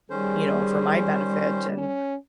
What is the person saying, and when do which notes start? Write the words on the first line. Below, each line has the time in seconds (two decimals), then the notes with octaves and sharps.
you know, for my benefit, and,
0.10 D#3 G3 C#4 G#4 C5
1.77 C#4